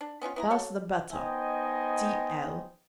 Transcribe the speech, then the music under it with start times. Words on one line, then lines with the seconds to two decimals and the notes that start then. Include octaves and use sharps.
Pass the butter. T.l.
0.01 D4
0.21 B3 C#4 D4 F4
0.36 B3 E4 A#5
0.50 F#4 A4 C#5
1.11 B3 D#4 C5 D#5 G5 G#5